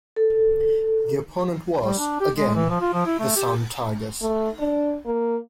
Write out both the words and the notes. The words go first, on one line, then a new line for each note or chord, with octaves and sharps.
The opponent was, again, the Sound Tigers.
A4
G3
D4
G4
G#3
E3
F3
F4
F3
E4
A3
G4
A3
D4
A#3